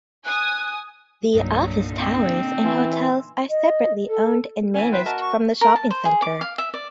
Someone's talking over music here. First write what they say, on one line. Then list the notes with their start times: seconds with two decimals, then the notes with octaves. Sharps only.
The office towers and hotels are separately owned and managed from the shopping center.
0.24 G#5 D#6 F#6
1.34 C2 G2 A#2 D3 F#3 D#4
2.00 C4
2.64 E3 G#5 C6 E6
3.49 D#5
4.08 A4
4.74 E3 B3 C#4 G#5
4.92 B4 C5 E5 G5
5.06 F#4 A#4 D#5 A5
5.21 C#6
5.61 A#4
5.76 A5
5.90 C5
6.05 G#4
6.22 D6
6.41 F5
6.58 E5
6.74 D5